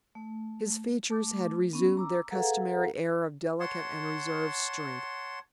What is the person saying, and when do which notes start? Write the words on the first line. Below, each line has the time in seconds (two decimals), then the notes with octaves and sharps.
His features had reassumed their customary air of delicate and reserved strength.
0.15 A3
1.10 A3 D6
1.73 B3 C#4
1.97 A#5 D6 E6
2.31 G#4 A4 B4 F5 F#5 A#5
3.60 C#5 F#5 A5 C6